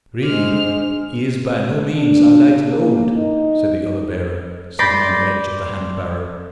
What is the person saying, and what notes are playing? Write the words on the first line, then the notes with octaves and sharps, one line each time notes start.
"Really, he is by no means a light load!" said the other bearer, sitting on the edge of the hand-barrow.
G#3 D4 C5 F6
D4
A#3
D#4
D5 B5 C6 G6 A6 A#6